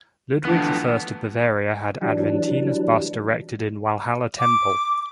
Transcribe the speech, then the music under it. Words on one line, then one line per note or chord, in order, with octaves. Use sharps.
Ludwig I of Bavaria had Aventinus' bust erected in the Walhalla temple.
A2 D3 E3 F3 B3
E3 F#3 G3 D4
D6